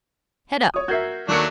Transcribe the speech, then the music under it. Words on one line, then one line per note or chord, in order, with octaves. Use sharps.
Head up!
C#5 D#6
F#4 A#4 E5 G6 G#6 C7
D#2 F#3 A3 A#3 D4 C#7